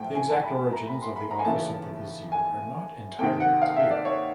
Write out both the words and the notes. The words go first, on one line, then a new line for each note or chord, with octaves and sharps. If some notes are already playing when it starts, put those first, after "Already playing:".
The exact origins of the office of vizier are not entirely clear.
Already playing: A2 F3 A3 G5
G#5
A5
B5
A#5
B5
C6
B5
A#5
G#5
D#2 C#3 E3 A3 A5
G#5
F2 C3 D#3 G5
F#5
F5
E5
D5
C#5